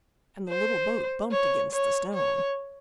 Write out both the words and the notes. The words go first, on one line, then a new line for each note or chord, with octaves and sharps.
And the little boat bumped against the stone.
C5
C#5
C#5
C#5